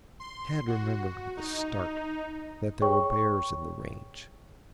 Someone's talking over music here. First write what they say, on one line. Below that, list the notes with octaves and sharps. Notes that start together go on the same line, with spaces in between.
Tad remembered with a start that there were bears in the range.
C6
F#4
D#4
G#4 C#5 G5 C#6